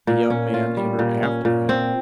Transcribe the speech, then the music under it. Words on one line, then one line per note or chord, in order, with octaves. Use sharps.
The young man entered after him.
A#2
C#4
F4
G3
A#2
C#4
A#2
C4